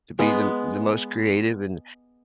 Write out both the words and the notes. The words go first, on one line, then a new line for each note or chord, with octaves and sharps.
to be the the most creative, and,
G#3 B3